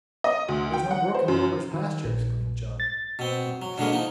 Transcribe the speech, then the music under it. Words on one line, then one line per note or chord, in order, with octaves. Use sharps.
"There's no brook in Wilbur's pasture!" exclaimed John, stopping short.
D#5
D2
G5
F#5
C5
F#2
D#3
A#1
A6
B2 C4
F#3
B2 D3 F#3 G#3 A#3
F3 D#4